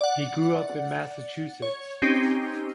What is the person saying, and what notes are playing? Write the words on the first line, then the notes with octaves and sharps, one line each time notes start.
He grew up in Massachusetts.
D5 F#5
C#5
C4 C#4 D#4 G4